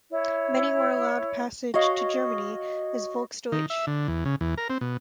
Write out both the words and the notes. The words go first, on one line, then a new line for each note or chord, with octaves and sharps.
Many were allowed passage to Germany as "Volksdeutsche".
E4 C#5
F#4 C#5 D#5 F5
D#3
E5
D3
E2
C#3
E2
A#4
C4
B2